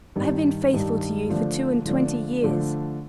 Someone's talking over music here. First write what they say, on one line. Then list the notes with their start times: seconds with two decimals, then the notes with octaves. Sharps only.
I have been faithful to you for two-and-twenty years.
0.16 G2 D#3 G3
0.72 G2 D#3 G3
1.29 D3 F3 A3 D4
1.85 D3 F3 A3 D4
2.42 D3 F3 A3 D4